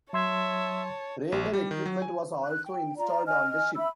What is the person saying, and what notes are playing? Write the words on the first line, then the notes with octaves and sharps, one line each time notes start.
Radar equipment was also installed on the ship.
F#3 C#5 E5 A5 C6 G#6
A#1
G3
D#3
F#3
G#5
F#6
G5
F4 D5 A#5
D#5 G#5 F6
E5 B5 E6